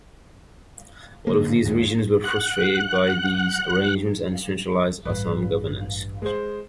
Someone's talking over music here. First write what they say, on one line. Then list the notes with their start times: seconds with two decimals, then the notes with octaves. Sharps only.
All of these regions were frustrated by these arrangements and centralized Assam governance.
1.27 D3 A#3
1.65 D#2 A2 G3 G#3
2.24 F#5 F#6
5.05 A1 G2 B4
6.22 G#3 G#4 C5